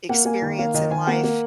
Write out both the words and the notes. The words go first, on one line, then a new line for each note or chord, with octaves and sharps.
experience in life
A#3 F#5
A#3 G#5
D#3
A#3 F5
D#3 D#5
D#3 G#5
A#3 F#5
A#3